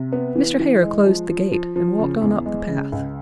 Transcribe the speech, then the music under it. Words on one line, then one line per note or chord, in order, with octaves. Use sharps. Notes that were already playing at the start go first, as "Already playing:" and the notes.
Mr. Hare closed the gate and walked on up the path.
Already playing: C3
B3
E3
E3
G#3
F3
F3
F3
F3
C#3
E2
G#3
C#3
C#2